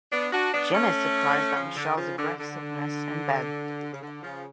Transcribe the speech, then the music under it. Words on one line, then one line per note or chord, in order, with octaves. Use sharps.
Jim is surprised at Michelle's aggressiveness in bed.
B3 D4
D4 F#4
B3 D4
A3 C#4
C#3 F3
D3
C#3 F3
D3
D3
C#3
D3
C#3 F3